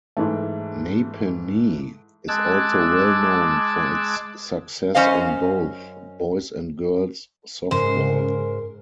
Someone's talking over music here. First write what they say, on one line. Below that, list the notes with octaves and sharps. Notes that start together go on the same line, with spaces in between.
Napanee is also well known for its success in both boys and girls softball.
G#2 E3 A3
G#3 A5 D6 E6 F#6 G#6
F#2 C#4 C5 D#5 F5
G#2 C#3 G#3 A#4 C5